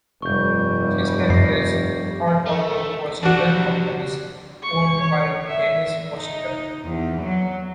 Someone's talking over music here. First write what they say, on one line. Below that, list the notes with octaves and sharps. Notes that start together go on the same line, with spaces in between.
Seaspan is part of the Washington Companies, owned by Dennis Washington.
F1 G2 G3 C#6 G6
F#2 A#6 C7
A3
C3 G3 D4 F#4
C#6
C#5
E5
D#4
E2
F#3